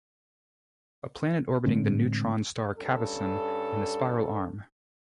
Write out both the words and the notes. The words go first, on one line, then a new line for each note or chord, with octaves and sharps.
A planet orbiting the neutron star Cavesson in the Spiral arm.
A2 D3 G#3 C4
G2 C#4 A4